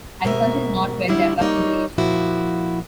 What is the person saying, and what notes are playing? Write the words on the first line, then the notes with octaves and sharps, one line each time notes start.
Agriculture is not well developed in the region.
G#2 B2 A#4 E5
D3 G3 C#4 E4
G3 A#3 D#4 C#5
A#2 F3 E4 F#4